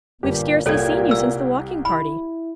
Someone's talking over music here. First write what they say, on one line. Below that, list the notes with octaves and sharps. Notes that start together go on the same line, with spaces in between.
We have scarcely seen you since the walking party.
G1 A#2 G4
C2 A#2 A4 C#5 G5 G#6
E6
E4 B5